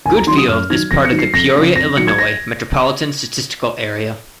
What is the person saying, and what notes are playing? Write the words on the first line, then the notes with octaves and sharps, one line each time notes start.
Goodfield is part of the Peoria, Illinois Metropolitan Statistical Area.
D#2 G#5
A#5
D#3 F#3 C6
D#6
F#2 F6
D#3 F#3 G#6
F2 A#6
C#7
D#3 F#3
C7
F2 A#6
C#3 F3
F2 A#6
D#3 F#3 C#7
G#6
A#6